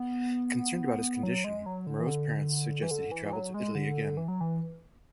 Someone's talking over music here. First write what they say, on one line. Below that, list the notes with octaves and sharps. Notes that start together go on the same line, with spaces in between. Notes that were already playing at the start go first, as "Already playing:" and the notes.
Concerned about his condition, Moreau's parents suggested he travel to Italy again.
Already playing: B3
F#3
G#3
F#3
D3
E3
D3
E3
D3
E3
E3
F#3
G#3
D3
E3
F#3
E3